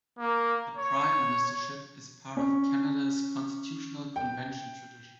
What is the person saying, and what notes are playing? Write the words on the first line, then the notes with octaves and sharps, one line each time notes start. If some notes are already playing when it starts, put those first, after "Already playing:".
The prime ministership is part of Canada's constitutional convention tradition.
A#3
C#5
C#4
G5